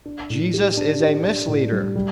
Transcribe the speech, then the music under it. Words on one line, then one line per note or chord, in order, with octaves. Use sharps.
Jesus is a misleader.
D4
A2
G4
D4
G4
D4
A2
G3
G3